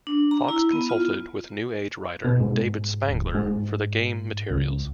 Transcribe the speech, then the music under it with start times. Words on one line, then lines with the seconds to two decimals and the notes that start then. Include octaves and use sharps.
Fox consulted with New Age writer David Spangler for the game materials.
0.07 D4
0.31 A#5
0.49 E4
0.72 B3
0.90 F4
2.24 B2
2.40 G#2
3.09 D1
3.35 G#2
4.50 C#2